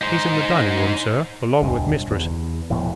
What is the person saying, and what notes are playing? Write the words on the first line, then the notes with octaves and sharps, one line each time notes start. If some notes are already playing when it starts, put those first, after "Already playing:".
'He's in the dining-room, sir, along with mistress.
D#4 C5
E1 D2 G2
E2
E1 A2 F3 B3